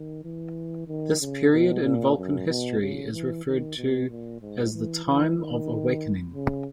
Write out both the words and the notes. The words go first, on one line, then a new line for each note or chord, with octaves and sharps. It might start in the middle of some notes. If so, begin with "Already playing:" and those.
This period in Vulcan history is referred to as the "Time of Awakening".
Already playing: D#3
E3
D#3
C#3
B2
A#2
F#2
B2
C#3
E3
D#3
B2
A#2
G#2
E3
E3
D#3
C#3